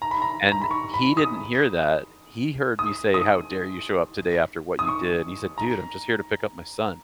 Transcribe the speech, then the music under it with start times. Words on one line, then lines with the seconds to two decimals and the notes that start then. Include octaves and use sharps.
and he didn't hear that. He heard me say, "How dare you show up today after what you did?" He said, "Dude, I'm just here to pick up my son."
0.02 A#5
0.11 B5
0.22 A#5
0.52 A#5
0.62 B5
0.71 C#6
0.94 B5
1.17 D#6
2.79 D#6
3.14 D#6
4.79 D#6
4.88 C#6
5.58 A#5